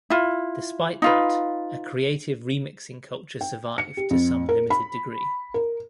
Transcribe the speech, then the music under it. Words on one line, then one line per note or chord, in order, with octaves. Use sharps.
Despite that, a creative remixing culture survived to some limited degree.
E4 F4
D#4 F4 B4
G5
C#7
G4
F2
A#4
B5
A#4